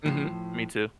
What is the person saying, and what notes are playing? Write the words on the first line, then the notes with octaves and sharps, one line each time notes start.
Mhm. Me too.
A2 F3